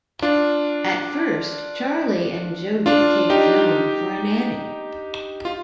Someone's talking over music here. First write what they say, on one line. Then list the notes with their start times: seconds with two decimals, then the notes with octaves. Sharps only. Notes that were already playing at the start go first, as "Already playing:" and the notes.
At first, Charlie and Jody take Joan for a nanny.
0.22 D4 F4
2.86 D4 F4
3.30 D#4 G4
5.45 F4